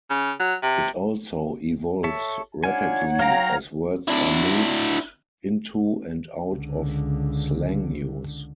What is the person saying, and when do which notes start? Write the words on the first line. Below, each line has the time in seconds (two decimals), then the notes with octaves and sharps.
It also evolves rapidly, as words are moved into and out of slang use.
0.10 C#3
0.39 F#3
0.63 C3
2.04 A4 C#5 E5
2.64 D4 D#4 F4 C#5 F#5 G#5
3.19 F#3 F5 G5 A#5
4.08 D4 E4
6.51 C#2 D3